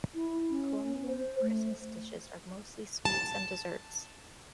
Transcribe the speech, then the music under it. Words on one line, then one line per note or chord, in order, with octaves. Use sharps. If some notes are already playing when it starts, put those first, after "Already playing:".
Colombian Christmas dishes are mostly sweets and desserts.
E4
C#4
C5
A3
A5